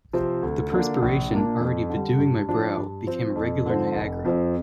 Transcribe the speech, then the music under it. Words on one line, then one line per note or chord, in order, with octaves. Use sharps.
The perspiration, already bedewing my brow, became a regular Niagara.
C3 F3 C4
D2
D3 A#3 D4
A#1
A#2 A#3 D4
F2
D3
G3
G2
F3 D4
G2
F3 C4
F2
D3 F3 C4
F1
F2 F3 C4